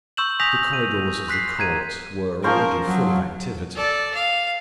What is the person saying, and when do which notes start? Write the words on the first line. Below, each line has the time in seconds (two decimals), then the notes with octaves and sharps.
The corridors of the Court were already full of activity.
0.17 C6 C#6 E6 G6 E7 F#7
0.40 G#5 D#6 G6 A#6 B6 F7
0.73 D#7
1.28 C6 F#6 B6 C7
1.59 A#5 G#6 D#7
2.44 F3 C#4 A#4 C5
2.87 F#3
3.76 A4 D5
4.14 F5